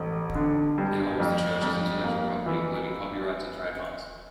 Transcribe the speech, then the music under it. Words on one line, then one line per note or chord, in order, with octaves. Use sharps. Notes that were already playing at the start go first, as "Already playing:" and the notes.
It holds the church's intellectual property, including copyrights and trademarks.
Already playing: A1
D3
G2
F2
F2
A#3
E3